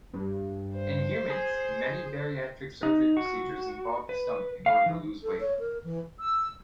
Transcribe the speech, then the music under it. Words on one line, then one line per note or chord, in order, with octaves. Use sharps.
In humans, many bariatric surgery procedures involve the stomach, in order to lose weight.
G2
C5
G#4
D#4
F#4
B4
F5
E3
A4
C#5
A#4
E3
E6